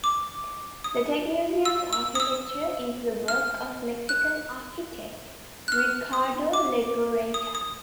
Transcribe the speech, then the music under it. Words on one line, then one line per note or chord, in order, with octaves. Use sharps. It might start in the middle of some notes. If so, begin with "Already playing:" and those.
The Tech Museum's architecture is the work of Mexican architect Ricardo Legorreta.
D6
D#6
E6
E6
D#6
E6
F6
F#6
F#6
F6
D#6
D6
D#6
D#6